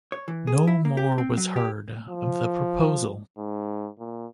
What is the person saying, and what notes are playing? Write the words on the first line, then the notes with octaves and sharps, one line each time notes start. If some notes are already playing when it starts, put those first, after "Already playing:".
No more was heard of the proposal.
C#5
E3
G#4
E4
A#3
G4
C4
F#3
G4
F3
G#2
A#2